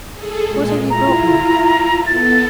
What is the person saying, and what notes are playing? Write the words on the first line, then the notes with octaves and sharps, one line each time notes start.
What have you brought me?'
G#4 A4
A#2 G#3
E4 F4 A#5
B3 A4 A6